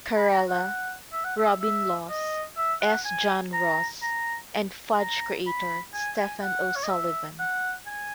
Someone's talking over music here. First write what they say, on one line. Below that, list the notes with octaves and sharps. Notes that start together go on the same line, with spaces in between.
Carella, Robin Laws, S. John Ross, and "Fudge" creator Steffan O'Sullivan.
B5
A#5
F#5
E5
F#5
E5
E5
D#5
E5
F#5
G#5
A#5
A#5
A#5
B5
G#5
G#5
F#5
C#5
D#5
E5
F#5
G#5